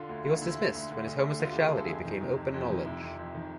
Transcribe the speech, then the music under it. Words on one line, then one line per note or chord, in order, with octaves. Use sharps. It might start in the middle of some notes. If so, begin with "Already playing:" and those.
He was dismissed when his homosexuality became open knowledge.
Already playing: D3 F4
D2 F#4
D3 F4
D2 E4
D3
D2
D3
D2
D3
D2 F4
D3 G4
G#4
D2 A4
F2 G#4
D#3
C3
F2
F2
D#3
C3 E4
F2
F2
D#3